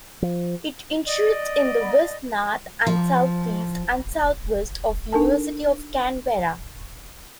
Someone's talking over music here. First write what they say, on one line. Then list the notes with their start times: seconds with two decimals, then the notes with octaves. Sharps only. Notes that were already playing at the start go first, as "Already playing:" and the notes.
It intrudes in the west north and southeast and southwest of University of Canberra.
0.22 F3
1.05 D5 D#5
2.87 F3
5.13 D4 D#4 A4 A#4 G#5 A5